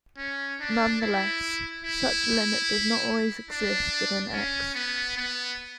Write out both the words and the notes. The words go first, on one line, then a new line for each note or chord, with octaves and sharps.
Nonetheless, such a limit does not always exist within "X".
C#4
D4
E4
E4
D4
C#4
B3
B3